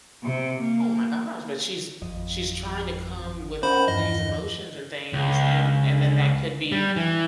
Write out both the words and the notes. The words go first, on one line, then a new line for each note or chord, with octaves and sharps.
oh my gosh, but she's she's trying to come with all these emotions and things, and and then that could be
C3
A#3
G#1 F2 D#5
C#4 A#4 C5 F#5 B5
E2 G2 F3 D#5
C#2
G3
E3